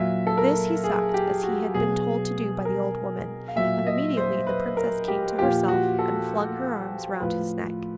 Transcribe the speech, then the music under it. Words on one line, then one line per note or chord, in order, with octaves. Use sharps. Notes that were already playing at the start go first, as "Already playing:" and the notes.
This he sucked, as he had been told to do by the old woman, and immediately the princess came to herself, and flung her arms round his neck.
Already playing: A#2 F#3 E5
A4
A#4
G#4
G4
F#4
B2 F#3 G#4
A#4
F5
A#2 F#3 E5
D#5
C5
B4
A#4
G4
A#2 F3 G4
F#4
A4
A2 F3 B4